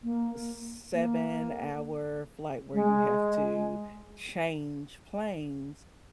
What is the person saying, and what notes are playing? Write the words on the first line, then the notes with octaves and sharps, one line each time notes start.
seven-hour flight where you have to change planes,
A#3
A#3
G#3